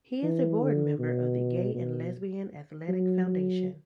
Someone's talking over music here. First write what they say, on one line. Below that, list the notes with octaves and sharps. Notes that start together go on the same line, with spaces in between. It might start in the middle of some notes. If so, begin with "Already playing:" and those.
He is a board member of the Gay and Lesbian Athletics Foundation.
E3
D3
B2
B2
F#3
F#3